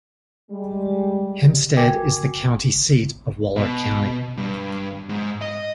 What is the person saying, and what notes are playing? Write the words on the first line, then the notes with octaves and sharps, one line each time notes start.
Hempstead is the county seat of Waller County.
G3 G#3
F#4 A#4 G5 G#5 D6 G#6
B2
G2
G#2
D#5